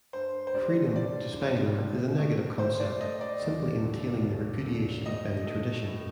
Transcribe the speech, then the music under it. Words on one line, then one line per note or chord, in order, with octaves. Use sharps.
Freedom, to Spengler, is a negative concept, simply entailing the repudiation of any tradition.
G2 C5
C5
D3 G3 D5
G2 D5
D3 G3
A2
A3
A2 C5
D5
A3 D#5
D5
D#2
D3 F#3 A3
D#2
D3 F#3 A3
A2 D#5
A3
A2